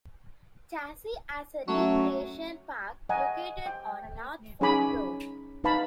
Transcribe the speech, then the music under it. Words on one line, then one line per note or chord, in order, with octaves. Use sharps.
Chazy has a recreation park located on North Farm Road.
F#3 A3 C#4 E5
D#5 F#5 G#5 A#5
G5
C#4 D#4 G#4 G#5 B5 D6
D#4 B4 F5 A5 B5